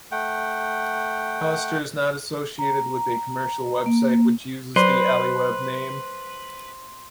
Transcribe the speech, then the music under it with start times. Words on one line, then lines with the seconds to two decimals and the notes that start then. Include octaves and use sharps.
Koster is not associated with a commercial website which uses the aliweb name.
0.11 A3 F#5 G5
2.59 A#5
3.86 A#3
4.76 F#3 B4 C5 C6